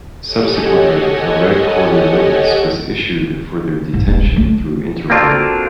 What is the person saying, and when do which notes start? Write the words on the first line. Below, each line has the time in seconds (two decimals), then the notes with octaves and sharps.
Subsequently a red-corner notice was issued for their detention through Interpol.
0.23 G4 A4 C#5 D#5 F#5 G#5
3.94 G#1
4.07 D#1
4.22 F#2
4.36 A3
5.10 A#3 C4 D4 F4 F#4 A4